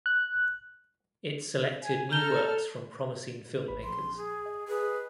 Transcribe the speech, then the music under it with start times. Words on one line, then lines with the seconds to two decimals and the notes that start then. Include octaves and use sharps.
It selected new works from promising filmmakers.
0.06 F#6
1.83 G#5
2.12 A4 A#5 F6 G6 G7
3.68 A1 B4 B5
3.83 A#1 C6
4.17 G#4
4.46 D#5
4.68 G#4 B4